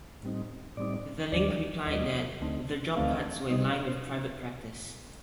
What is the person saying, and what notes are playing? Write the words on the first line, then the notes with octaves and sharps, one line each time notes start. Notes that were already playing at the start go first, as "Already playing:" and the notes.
The Link replied that "the job cuts were in line with private practice".
A2 G3 C4 D#4
A2 G3 C4 D#4 D5
D#2 D#3 G3 D4 D5
D#2 D#3 G3 D4 D#5
D2 D3 A3 C4 D#4
D2 D3 A3 C4 D#4 F5
C3 G3 C4 D#4 D#5
F5
C5